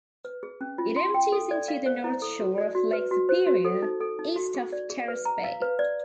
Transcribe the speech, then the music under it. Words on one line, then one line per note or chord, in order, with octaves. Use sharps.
It empties into the north shore of Lake Superior east of Terrace Bay.
B4
G#4
C#4
F4
C6
G5
A4
D5
F5
C5
E4
A4
F#4
D5
F#4
B4
F#4
C5
F#4
A4
D#4
A4
D#4
F#4
G#4
D5
G#4
B4
A#5
F5
B4
D5